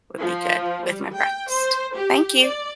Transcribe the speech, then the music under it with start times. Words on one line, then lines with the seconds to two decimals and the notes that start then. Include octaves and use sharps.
would be good with my breakfast. Thank you.
0.19 F3
0.86 G3
1.15 G5
1.50 C5
1.95 G4
2.40 D5